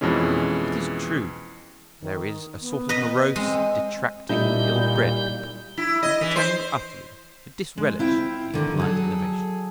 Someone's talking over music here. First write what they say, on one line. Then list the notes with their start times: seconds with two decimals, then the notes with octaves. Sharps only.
It is true there is a sort of morose, detracting, ill-bred people who pretend utterly to disrelish these polite innovations.
0.01 F2 B2 E3 G#3 C#4
2.00 D#3
2.61 B3
2.89 B4 D#5
3.36 G#3 C4
4.29 A#2 G3 D#4 E4 A4 G6
5.78 E4
6.03 D#5
6.21 E3
6.36 C5
7.78 G#3
7.99 C4 E4 F4 G5
8.54 D3 D#3
8.78 F#3 G#4 A4